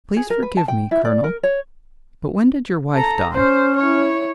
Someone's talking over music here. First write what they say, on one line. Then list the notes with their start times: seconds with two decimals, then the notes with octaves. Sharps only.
"Please forgive me, colonel, but when did your wife die?"
0.16 G#4
0.30 A#4
0.42 B4
0.57 A5
0.68 G5
0.91 E4
1.05 D5
1.24 A#4
1.43 C#5
2.94 A4 A#5
3.31 C#4 C5
3.76 E4 C#5